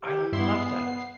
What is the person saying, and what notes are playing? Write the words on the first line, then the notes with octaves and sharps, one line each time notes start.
I love that!
G4
G2 B3 E4 C6
C7